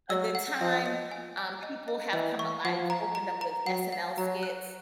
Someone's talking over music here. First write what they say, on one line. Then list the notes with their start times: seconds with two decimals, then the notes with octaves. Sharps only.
a good time. Um, people have come u I've opened up with SNL skits,
0.10 F#3 E6
0.35 F#5
0.61 F3 D#5
0.86 D#5
1.11 G#5
1.38 G#5
1.63 D#5
1.88 D#5
2.13 E3 D#5
2.39 C#6
2.65 F3 F#5
2.90 A#5
3.15 A#5
3.41 A#5
3.66 F#3 F#5
3.92 F#5
4.18 F#3 A#5
4.43 F#6